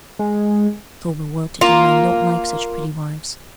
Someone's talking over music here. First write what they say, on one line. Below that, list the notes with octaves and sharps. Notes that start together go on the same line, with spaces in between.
Sober well-to-do men don't like such pretty wives.
G#3
A#3 F4